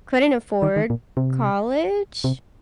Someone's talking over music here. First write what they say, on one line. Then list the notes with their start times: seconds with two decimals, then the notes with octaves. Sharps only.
couldn't afford college,
0.62 D#3
0.76 D#3
0.90 A#2
1.17 C3
2.24 C3